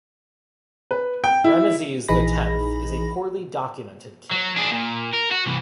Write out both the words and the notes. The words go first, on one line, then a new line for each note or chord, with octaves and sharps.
Ramesses the Tenth is a poorly documented king.
B4
G5
E4
A#1 E3 D#4 G#4 B5 A#6
F#3
D4 G#4
A#2
A#4
F#4
C2 E3